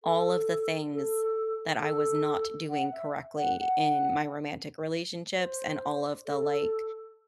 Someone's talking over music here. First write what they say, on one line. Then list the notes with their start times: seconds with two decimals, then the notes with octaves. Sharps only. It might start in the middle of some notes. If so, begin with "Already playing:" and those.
all of the things that I was not doing correctly in my romantic relationships and all of the, like,
0.03 A4
0.92 A4
1.81 A4
2.69 F#5
2.92 E5
3.37 F#5
3.58 F#5
5.37 C5
6.26 A4